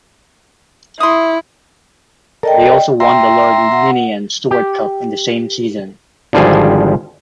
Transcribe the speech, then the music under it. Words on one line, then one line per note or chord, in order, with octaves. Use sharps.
They also won the Lord Ninian Stuart Cup in the same season.
E4 C6 D#6
A4 A#4 D5 D#5 G5
E5 G5 A#5 C6
F#5
G4
G#1 D3 F3 G3 G#4 A5